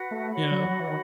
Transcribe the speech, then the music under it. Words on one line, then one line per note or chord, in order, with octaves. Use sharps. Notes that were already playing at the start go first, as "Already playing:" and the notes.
You know?
Already playing: F#4 B4 F#5
A3
F#4 C#5 F#5 B5
F#3
F#3
E3
D#3